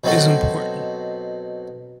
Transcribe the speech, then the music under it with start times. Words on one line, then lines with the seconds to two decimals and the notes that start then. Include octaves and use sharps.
is important
0.04 B2 F#3 C4 D#4 F#4 A4